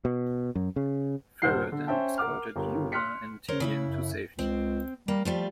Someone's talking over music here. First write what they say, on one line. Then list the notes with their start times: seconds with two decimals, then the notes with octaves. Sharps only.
"Fir" then escorted "Yuma" and "Tinian" to safety.
0.05 B2
0.55 F#2
0.76 C#3
1.42 D#1 G2 C5 F#5 G6 C7
1.72 D3
1.87 C#4 C5 E5 G5 A5
2.18 A#4 F#5 D6 F6
2.56 G1 G4 A#4
2.92 C6 F6 F#6 B6 C#7
3.48 A#4 C5 C#5
3.60 C#3 E4 E5
3.85 F#2
4.39 C#2 C4
5.08 G3 A#3
5.25 F3 G3 A3 F4